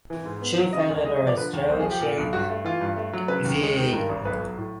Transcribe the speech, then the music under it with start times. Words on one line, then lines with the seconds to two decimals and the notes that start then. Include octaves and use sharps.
Chief editor is Joachim Veit.
0.10 E3
0.25 G#2
0.41 B3
0.58 F#3
0.73 C#3 D#5
0.89 D2
1.05 G#3 D#5
1.17 D#5
1.21 F3
1.27 D5
1.37 D3 B4
1.53 D#2
1.69 B1 C5
1.79 G#4
1.85 F3
1.90 G4
2.01 A#2
2.18 B1
2.33 G2 F#4
2.49 A3
2.64 E3 F4
2.81 G2
2.96 A3
3.13 F#3
3.28 C#3 B4
3.45 D#2
3.61 G#3
3.76 D#3
3.93 G2 A#4
4.09 G#1
4.25 B1 B4
4.40 F#3
4.57 A2